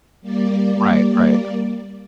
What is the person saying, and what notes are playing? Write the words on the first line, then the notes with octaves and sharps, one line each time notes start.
Right, right.
G3 A#3 D5